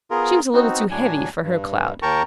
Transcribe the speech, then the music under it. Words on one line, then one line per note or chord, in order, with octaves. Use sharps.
She was a little too heavy for her cloud.
B3 F4 G#4 A#4
B3 C4 D#4 F#4
A2 F#3 D4 G#5
G2
D#2 A#4 G5 A5 A#5 C#6